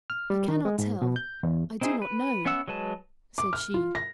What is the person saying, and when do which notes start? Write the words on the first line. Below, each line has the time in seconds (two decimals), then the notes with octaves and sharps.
"I cannot tell; I do not know," said she.
0.10 F6
0.30 G3
0.48 D#3
0.65 G#3
0.79 G#2
1.02 B2
1.16 G6
1.43 E2
1.81 C4 D#4 E4 G#4 C5
2.02 B4
2.45 B3 C#4 E5 F#5 E6
2.68 F#3 G#3 B4 A5
3.38 D6
3.53 F6
3.74 F4
3.95 A#6